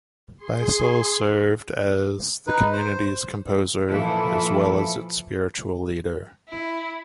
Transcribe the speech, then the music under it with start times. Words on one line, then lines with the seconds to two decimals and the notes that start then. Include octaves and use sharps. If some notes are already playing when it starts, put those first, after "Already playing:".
Beissel served as the community's composer as well as its spiritual leader.
0.37 G#4 C6
2.47 D#4 B4
2.73 C5
3.88 A#2 E3 F3 E4 F4 A4
6.49 E4